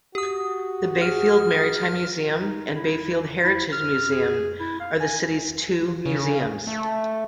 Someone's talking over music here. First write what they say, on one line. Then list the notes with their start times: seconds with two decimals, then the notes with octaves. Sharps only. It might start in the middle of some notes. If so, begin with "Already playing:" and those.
The Bayfield Maritime Museum and Bayfield Heritage Museum are the city's two museums.
0.15 F#4 G4 D#6
1.01 G#4 F6
2.41 D#4
2.75 E4
3.44 E4
3.72 F6
4.12 G#4
4.60 E4
4.80 F5
5.00 G#5
6.06 C#3
6.67 A3